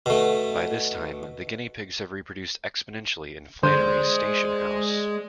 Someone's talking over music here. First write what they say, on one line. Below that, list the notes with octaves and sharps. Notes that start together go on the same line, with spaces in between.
By this time, the guinea pigs have reproduced exponentially in Flannery's station house.
B2 A3
D3 G#3 C5 D5